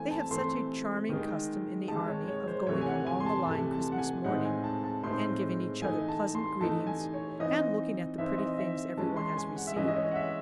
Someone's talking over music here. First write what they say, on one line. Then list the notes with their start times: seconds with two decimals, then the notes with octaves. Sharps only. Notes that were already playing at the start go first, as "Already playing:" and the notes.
They have such a charming custom in the Army of going along the line Christmas morning and giving each other pleasant greetings and looking at the pretty things everyone has received.
Already playing: E3 A3 C4 G#5
0.11 A5
0.31 E3 A3 C4 C6
1.09 D#3 G#3 D#4
1.88 D#3 G#3 D#4 A5
2.08 C#5
2.28 C#5
2.48 C5
2.67 C3 E3 A3 C#5
2.81 G#5
2.87 F#5
3.07 G#5
3.20 C6
3.26 A5
3.46 C3 E3 A3 A5
3.72 A5
3.92 F#5
3.98 G#5
4.24 A2 G#3 C4 D#4 F#5
4.45 G#5
4.64 A5
4.84 A5
5.03 A2 G#3 C4 D#4 C6
5.82 E3 A3 D#4 G#5
6.09 A5
6.35 C6
6.61 E3 A3 D#4 A5
6.87 G#5
7.14 C#5
7.40 E3 C4 D#4 D#5
8.18 E3 C4 D#4 E5
8.38 D#5
8.58 E5
8.97 E3 G#3 C#4 A5
9.17 C6
9.37 G#5
9.56 F#5
9.67 E5
9.76 E3 G#3 C#4 D#5
9.88 D#5
9.96 C#5
10.11 F#5
10.15 E5